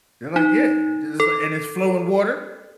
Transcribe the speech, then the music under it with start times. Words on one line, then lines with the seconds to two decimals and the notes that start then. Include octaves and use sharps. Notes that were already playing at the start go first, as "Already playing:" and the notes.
They're like, "Yeah," this is like "And it's flowing water?"
0.36 D#4
1.20 A4